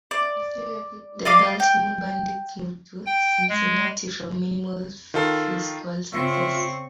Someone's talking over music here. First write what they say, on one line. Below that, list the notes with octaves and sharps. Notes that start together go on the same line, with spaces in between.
The Baltimore Bandits moved to Cincinnati from minimal fiscal success.
D5
D5 D#5 F5 D6
G5
G5
G#3
D#3 F4 A4
C#3 C4 F4 E5 C#6